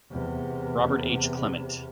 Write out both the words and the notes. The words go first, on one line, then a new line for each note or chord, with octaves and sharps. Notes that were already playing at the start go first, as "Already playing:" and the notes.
Robert H. Clement.
E2 C3